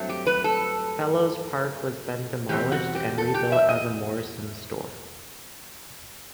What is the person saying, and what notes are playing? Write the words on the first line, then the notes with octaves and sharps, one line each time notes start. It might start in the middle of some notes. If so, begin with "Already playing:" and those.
Fellows Park was then demolished and rebuilt as a Morrisons store.
Already playing: G2 F#3 A3 C4
G4
B4
A4
E2 B2 G3 C4 G4
F#4
G4
A4
G4
E5
D#5